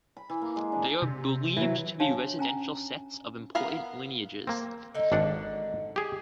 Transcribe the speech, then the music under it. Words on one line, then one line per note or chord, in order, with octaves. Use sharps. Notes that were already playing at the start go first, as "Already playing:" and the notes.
They are believed to be residential sets of important lineages.
B5
E3
A#3
G#3
D4
C3
E3 F#3
D4 F#4 C#5 F5 A5
C#4 G#5 A#5
B3 A#4 F5 B5
A#3 C4
D3 D#4
G#1 D4 F#5
G4 G#4